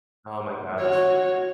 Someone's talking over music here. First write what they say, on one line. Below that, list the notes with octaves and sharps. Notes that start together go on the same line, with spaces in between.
Oh, my gosh.
F#4 C#5